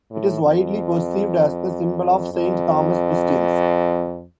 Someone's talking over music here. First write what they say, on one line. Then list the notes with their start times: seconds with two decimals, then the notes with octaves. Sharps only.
It is widely perceived as the symbol of Saint Thomas Christians.
0.11 A2
0.42 F2
2.32 F2